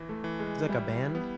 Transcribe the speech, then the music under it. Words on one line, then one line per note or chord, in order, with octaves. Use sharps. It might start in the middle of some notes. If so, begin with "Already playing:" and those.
It's, like, a band?
Already playing: D#2 E3
A3
E3
G#3
G3 E4
B3